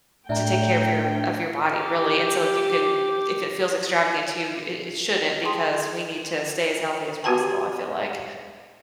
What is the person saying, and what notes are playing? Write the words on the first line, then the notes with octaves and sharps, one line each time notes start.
to take care of your of your body, really, and so if you can if it feels extravagant to you, it it shouldn't because we need to stay as healthy as possible, I feel like.
A2 A3 D4 E5 G5 A#5
G4 D6
G#4 G5 A5 C6 D#6
B3 F#4 G4 B4 G#5 A5